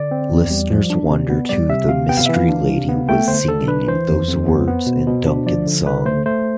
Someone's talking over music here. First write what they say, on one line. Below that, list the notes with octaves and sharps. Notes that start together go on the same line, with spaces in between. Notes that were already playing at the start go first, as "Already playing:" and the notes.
Listeners wondered who the mystery lady was singing those words in Duncan's song.
Already playing: D3 D5
C4
E2
G3
F3
D4
C3
B3
G3 D5
C3 E5
C3 F5
B3 G5
F5
E3 E5
F5
D4
C3
B3
A3 G5
D3 C5
D3 A4
D4 B4
E3 C5
F2
F2
B3
B3
B2
B2
D4
F3 D5
D3
D3 B4
A3 C5
A3 C5